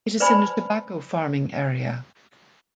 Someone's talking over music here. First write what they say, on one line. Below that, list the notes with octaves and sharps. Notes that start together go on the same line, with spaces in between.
It is in a tobacco farming area.
B4 C5 D5 G#5 A5 B5